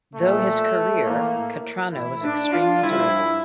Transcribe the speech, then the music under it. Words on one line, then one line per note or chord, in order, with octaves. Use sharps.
Though his career, Cattrano was extremely durable.
A#2 F3 A3
A2 E3 A#3
A2 E3 E4
D4
F4
G2 F3 E4